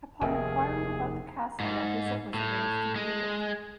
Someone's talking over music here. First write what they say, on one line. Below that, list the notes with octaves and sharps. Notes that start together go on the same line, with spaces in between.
Upon enquiring about the castle, a visit was arranged to view it.
F1 D#2 G#4 A#4 E5 G5
G#2
A2
G#3